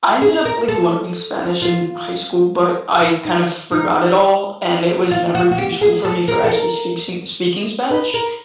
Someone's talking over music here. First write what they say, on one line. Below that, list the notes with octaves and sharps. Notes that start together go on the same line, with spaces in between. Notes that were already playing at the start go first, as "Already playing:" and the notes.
I ended up, like, learning Spanish in high school, but I kind of forgot it all, and it was never useful for me for actually speak sing speaking Spanish,
G#4
A#4
A4
F4
E4
D#4
D#4
F4
F#4
F#4
G4
G#4
A4
A#4
A4
A#4
B4
A#4